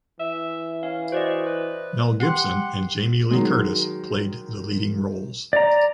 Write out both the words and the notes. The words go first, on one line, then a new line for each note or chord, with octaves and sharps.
Mel Gibson and Jamie Lee Curtis played the leading roles.
E3 E5
C#4 F5
F#4 C5 D5 D#5
B4
G4 F#5 C6 C7
D#3 F#3 G#3
D5 A#5